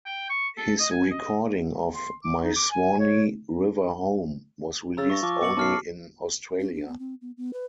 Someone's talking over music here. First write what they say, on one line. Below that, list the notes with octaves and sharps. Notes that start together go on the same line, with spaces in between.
His recording of "My Swanee River Home" was released only in Australia.
G5
C#6
A4
D#5
G#5
D#5
C6
D6
D#4
D6
G#5
C#5
C#3 A#5 E6 A6
G2 C#6 A#6
F3 C#6 D6
B2 D6 C#7 F#7
B1 A5 F6 C7
C#4
D4
B3
C4
B3
B3
B4